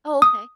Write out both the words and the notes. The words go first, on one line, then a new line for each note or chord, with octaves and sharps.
Oh, okay,
D#6